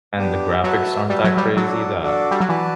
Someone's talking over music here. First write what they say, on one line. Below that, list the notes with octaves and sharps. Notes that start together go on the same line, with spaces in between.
and the graphics aren't that crazy that
B3 D4 G4
F#3 F#4 B4 E5 A5
G3 F#4 B4 E5 A5
F#3
G3
F#3 D4 F#4 A4 D5
D4 F#4 A4 D5
G3
F#3
E3 F#4 B4 D5 A5